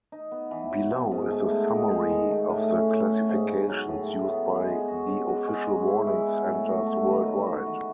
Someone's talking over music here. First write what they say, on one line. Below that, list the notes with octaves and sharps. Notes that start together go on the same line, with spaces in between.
Below is a summary of the classifications used by the official warning centres worldwide.
D#4
B3
E3
F#3
B2
G#2
A3
B3
D#4
G#3
D#3
A3
A2
C#4
A2
C#4
G#2
C#3
F#3
A2
A2
B3
G#3
G#3
F#4
C#4
F#4
G#3
G#3
E4
E4
B3
A2
F#4
A3
D#3
F#3
F#4
E3